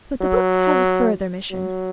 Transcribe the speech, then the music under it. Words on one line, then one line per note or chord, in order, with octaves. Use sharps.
But the book has a further mission.
F#3
F#3